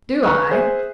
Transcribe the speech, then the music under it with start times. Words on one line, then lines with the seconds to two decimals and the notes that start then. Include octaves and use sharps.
"Do I?"
0.23 B4 A#5 C#6 F#6
0.51 G#4 C5 E5